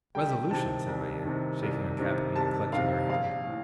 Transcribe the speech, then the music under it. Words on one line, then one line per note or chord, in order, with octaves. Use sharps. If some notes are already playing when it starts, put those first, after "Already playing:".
With resolution,' said my aunt, shaking her cap at me, and clenching her hand.
C2 G5
C3 D#3 A5
C2
C3 D#3
C2
C3 D#3
C2 A5
C3 D#3 F5
A#1 F5
A2